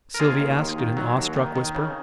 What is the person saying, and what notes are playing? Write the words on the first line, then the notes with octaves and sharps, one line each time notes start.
Sylvie asked in an awestruck whisper.
A#4
D#2 F4 G#4
D#2
D#2
D#3
F#3
D#2
D#3
D#3
C#3